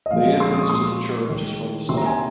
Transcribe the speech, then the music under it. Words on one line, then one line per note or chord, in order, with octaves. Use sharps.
The entrance to the church is from the south.
D#5
A#2 F3 G#3 F5
C6
D#6
C#6
A#2 G#3 C6
D#3 G#3
C3 D#3 A#3 C6
A#5
G#5